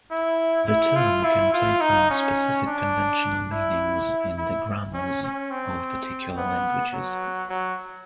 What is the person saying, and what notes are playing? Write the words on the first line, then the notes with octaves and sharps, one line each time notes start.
The term can take on specific conventional meanings in the grammars of particular languages.
E4
E4
F4
E4
F4
D#4
C#4
D4
E4
E4
C#4
C#4
C4
B3
F#3
F#3